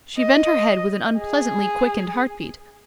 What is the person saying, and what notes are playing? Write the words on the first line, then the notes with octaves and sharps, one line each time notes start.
She bent her head with an unpleasantly-quickened heart-beat.
D#5
G#4